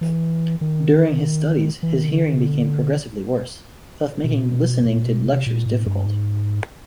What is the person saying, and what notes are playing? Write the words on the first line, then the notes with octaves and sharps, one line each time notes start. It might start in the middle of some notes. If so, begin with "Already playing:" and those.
During his studies, his hearing became progressively worse, thus making listening to lectures difficult.
E3
D#3
E3
D#3
D3
D#3
C#3
D3
B2
A#2
B2
A#2
B2
C3
A#2
A2
G2
G#2